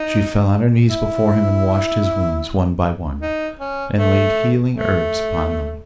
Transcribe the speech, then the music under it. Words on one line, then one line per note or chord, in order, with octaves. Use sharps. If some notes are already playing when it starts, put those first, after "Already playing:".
She fell on her knees before him and washed his wounds one by one, and laid healing herbs upon them.
Already playing: D#4
E4
D#4
C#4
A3
A3